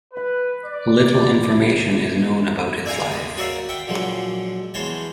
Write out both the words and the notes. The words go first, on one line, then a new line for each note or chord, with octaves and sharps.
Little information is known about his life.
B4
D5
D5 E5 F5 G#5 A#5
G#3 D#6
F#4 A#4 C#5 D5 E5 F5
E5 F#5 G5
A#2 D3 F3 F#3 G#3
E2 E3 G#3 C5 C#5 A5